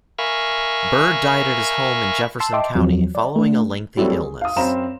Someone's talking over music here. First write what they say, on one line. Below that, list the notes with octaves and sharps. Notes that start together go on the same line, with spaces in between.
Byrd died at his home in Jefferson County following a lengthy illness.
A#4 E5 F5 G#5 B5 C#6
A5 C6 E6
D#5 E5 G5 A5 C6 D6
E2 F3 F#3 C4
D5
A3 D4
F#3 G3 A3 C4 E4 F#4
G#4
F5 D#6
F#2 C4 F5 A#5 B5 E7